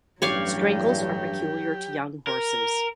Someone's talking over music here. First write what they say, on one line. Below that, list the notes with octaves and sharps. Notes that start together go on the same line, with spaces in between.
Strangles are peculiar to young horses.
A1 G2 F#3 G4 C#5 D5 F5
A#4